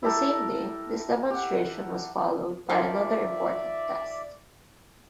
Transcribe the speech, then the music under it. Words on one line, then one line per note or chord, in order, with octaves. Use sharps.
The same day, this demonstration was followed by another important test.
E4 G4 A4 A#4
G4 F#5
D#3 F3 D5 E5